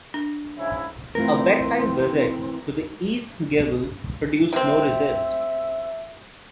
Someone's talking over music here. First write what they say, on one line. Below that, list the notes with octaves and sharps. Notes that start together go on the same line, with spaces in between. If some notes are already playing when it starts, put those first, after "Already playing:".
A bedtime visit to the east gable produced no result.
D4
G#2 C#3 E4
E3 A3 C4 F4 A#4
C3 C4 E5